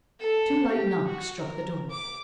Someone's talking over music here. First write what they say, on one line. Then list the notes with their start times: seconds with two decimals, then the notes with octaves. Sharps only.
Two light knocks struck the door.
0.19 A4
0.69 G4
1.06 F#4
1.40 A#4
1.90 D6